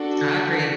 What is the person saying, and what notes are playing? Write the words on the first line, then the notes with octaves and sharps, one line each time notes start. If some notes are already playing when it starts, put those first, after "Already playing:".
I agree.
Already playing: D4 F#4 A4